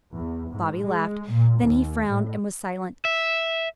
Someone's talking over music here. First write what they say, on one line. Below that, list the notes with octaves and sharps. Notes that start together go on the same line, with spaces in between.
Bobby laughed; then he frowned and was silent.
E2
G#2
G#3
A#2
D#2
A2
E5